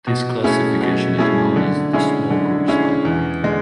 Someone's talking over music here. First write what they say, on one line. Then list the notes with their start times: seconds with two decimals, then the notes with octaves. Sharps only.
This classification is known as the Small Groups Library.
0.07 B2
0.44 A3 C#4 E4 G#4
0.81 B2
1.18 A3 C#4 E4 G#4
1.56 D3
1.93 G#3 C#4 E4 G#4
2.30 D3
2.68 G#3 C#4 E4 G#4
3.05 E2
3.43 D3 G#3